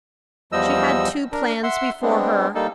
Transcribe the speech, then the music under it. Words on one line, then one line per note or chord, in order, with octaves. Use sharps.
She had two plans before her.
E2 F3 G3 D#5 E6
D4 A#4
E5 F#5 C6
G#3 B3 C4 D4
G3 A#3 D#4 A4